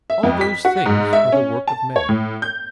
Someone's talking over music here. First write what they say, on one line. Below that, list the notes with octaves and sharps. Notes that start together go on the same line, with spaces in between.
All those things are the work of men.
E5
F2
B6
F#4
G#2
E5
C#4
A5
C#5
A2
G6